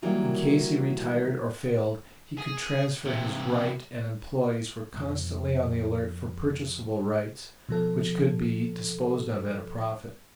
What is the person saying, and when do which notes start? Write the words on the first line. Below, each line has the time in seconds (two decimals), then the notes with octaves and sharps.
In case he retired or failed, he could transfer his 'right,' and employees were constantly on the alert for purchasable rights, which could be disposed of at a profit.
0.02 D#3 E3 F#3 G3 A#3
2.37 G#4
3.05 C3 E3
4.94 F2 B2
7.69 B2 F3 A4